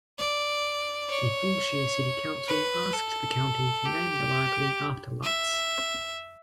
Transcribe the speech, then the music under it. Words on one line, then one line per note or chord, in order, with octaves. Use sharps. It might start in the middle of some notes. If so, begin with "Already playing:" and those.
The Fulshear City Council asked the county to name the library after Lutts.
D5
C#5
B4
A4
G4
E5